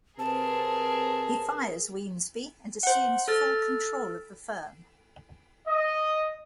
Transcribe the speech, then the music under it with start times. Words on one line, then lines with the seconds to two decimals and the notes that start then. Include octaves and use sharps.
He fires Weemsby and assumes full control of the firm.
0.19 C3 C4 G#4 A#4 B4 A5
2.83 C5 F#5
3.28 A4 F6 A6
5.67 D#5